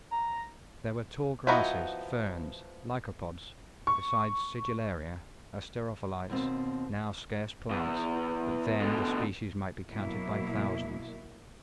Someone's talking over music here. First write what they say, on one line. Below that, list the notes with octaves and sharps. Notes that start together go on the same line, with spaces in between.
There were tall grasses, ferns, lycopods, besides sigillaria, asterophyllites, now scarce plants, but then the species might be counted by thousands.
A#5
F3 B3 D#4 E4 F#4
C#6
D#2 B2 C4
E2
B2 D3
B2 F#3 A#3 E4